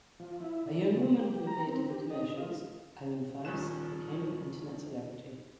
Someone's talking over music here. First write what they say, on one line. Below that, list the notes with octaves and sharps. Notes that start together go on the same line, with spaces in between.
A young woman who appeared in the commercials, Ellen Feiss, became an internet celebrity.
F3
E4
D3
C#3
G4
A#5
C4
G4
D#5
F4
D#1 D#3 F3 C#4 F#6 E7